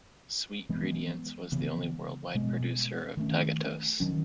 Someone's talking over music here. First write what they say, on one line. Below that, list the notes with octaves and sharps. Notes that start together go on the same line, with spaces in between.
SweetGredients was the only worldwide producer of tagatose.
E3 G#3 B3
C#3 E3 B3
B2 G#3 B3
D#3 A3 C#4
D#3 F#3 C#4